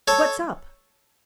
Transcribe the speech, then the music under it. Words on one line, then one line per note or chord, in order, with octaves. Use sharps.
What's up?
A4 C#5